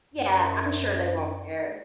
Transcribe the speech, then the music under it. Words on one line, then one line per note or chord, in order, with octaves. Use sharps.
Yeah, I'm sure they won't care,
F#2